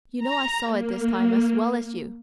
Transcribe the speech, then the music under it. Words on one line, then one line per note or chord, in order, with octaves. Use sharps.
You know I saw it this time as well as you.
A#5
A#3